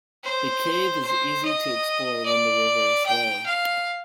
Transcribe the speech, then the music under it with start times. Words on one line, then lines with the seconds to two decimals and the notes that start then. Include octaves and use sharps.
The cave is easy to explore when the river is low.
0.24 C5
1.04 C5
1.45 D#5
2.25 D5
3.05 G5
3.46 F5